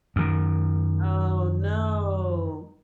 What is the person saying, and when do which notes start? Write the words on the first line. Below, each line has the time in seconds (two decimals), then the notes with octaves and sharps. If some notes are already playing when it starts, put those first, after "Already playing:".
Oh, no.
0.16 F#2 D#3